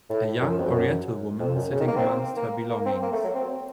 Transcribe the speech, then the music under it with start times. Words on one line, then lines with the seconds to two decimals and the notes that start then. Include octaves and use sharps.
A young oriental woman sitting amongst her belongings.
0.10 A2
0.41 F#2
0.58 F2
0.66 F#2
1.40 F2
1.56 F#2
1.71 C#3
1.80 D#3
1.87 A#3
1.96 C4
2.37 A#3
2.70 A#3
2.86 C4
3.02 A#3
3.12 A3
3.24 F#3
3.34 C4